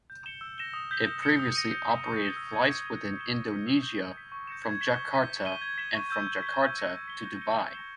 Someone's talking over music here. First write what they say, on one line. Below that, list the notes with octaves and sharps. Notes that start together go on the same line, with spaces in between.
It previously operated flights within Indonesia from Jakarta and from Jakarta to Dubai.
G6
C#7 E7 G7
E6
A#6 E7 G7
D#6
G6 B6 G7
G6
C#7 E7 G7
D#6
A#6 D#7
G6
B6 E7 G7
C#6
G#6 C#7 G7
E6
G#6 D#7 G7
E6
A#6 D#7 G7
G#6
B6 E7 G7
D#6
G#6 B6
E6
G6 A#6
D#6
G6 B6
C#6
G6 A#6 C#7 E7
G#6
B6 E7 G7
C#6
G6 B6 D#7 G7
G#6
D#7 G7
G#6
B6 E7 G7
C#6
E6 G6
G6
B6 G7
C#6
G6 A#6 C#7 G7
G#6
B6 G7
G6
C#7 G7
E6
A#6 E7 G7